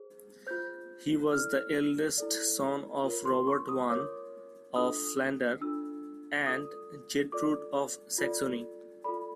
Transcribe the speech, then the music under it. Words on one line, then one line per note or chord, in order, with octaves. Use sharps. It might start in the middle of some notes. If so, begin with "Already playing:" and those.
He was the eldest son of Robert I of Flanders and Gertrude of Saxony.
Already playing: G#4 C5
F4 G#4 C5 G6
E4 A4 D5 F6
E4 A4 D5
F4 A#4 C#5
C6
C#6
D#6
F4 A#4 C#5 D6
D4 F4 A4 D#6
D4 F4 A4 E6
F4 A4 D5 D#6
F4 A4 D5 D6
F4 A4 D5
F4 A4 D5 B5